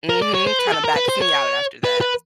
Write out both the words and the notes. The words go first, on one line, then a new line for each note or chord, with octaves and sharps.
Mhm. Kinda backs me out after that,
A#4
D5
C#5
C5
B4
G#4
A4
A#4
B4
C5
C#5
B4
B4